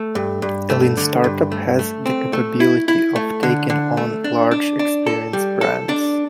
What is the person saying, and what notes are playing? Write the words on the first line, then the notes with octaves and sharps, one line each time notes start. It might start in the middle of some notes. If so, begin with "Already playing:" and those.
A lean startup has the capability of taking on large experienced brands.
Already playing: A3
G2
G2
A3
D3
G2
A3
A3
C4
A3
E4
E4
A3
D3
D3
A3
D4
D4
D4
A4
G3
A4
D4